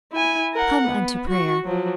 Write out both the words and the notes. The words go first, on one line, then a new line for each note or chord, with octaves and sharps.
Come unto prayer!
E4 G#5
A#4 F#5
B3
F#4 C#6
F3 F#3